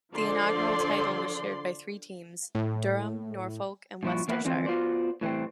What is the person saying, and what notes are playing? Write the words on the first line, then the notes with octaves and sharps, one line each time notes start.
The inaugural title was shared by three teams: Durham, Norfolk and Worcestershire.
D3 F3 D5 C6
A2
G2 A#2 F3 E4 F#4
E2 A#3 E4 F4 B4 F#5
D3 E3 F3 G#3 C4
B3 F4 F#4 C5 D5
A2 E3 G3 C4